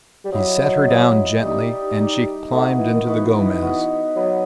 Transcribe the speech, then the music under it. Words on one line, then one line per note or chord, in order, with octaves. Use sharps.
He set her down gently, and she climbed into the Gomez.
G3
F#3 E4 G4 D#5
E4 G4 D#5
G3 D#4 G4 D#5
D#4 G4 D#5
A3 B3 D#4 F#4 B4
E3
D#3
E3 B3 D#4 F#4 B4
B3 F#4 B4 D#5
F#3 B3 F#4 B4 D#5